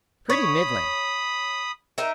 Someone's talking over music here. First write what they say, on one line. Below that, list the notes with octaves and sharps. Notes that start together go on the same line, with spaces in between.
"Pretty middling."
C#5 B5 D#6
D#4 A#4 E5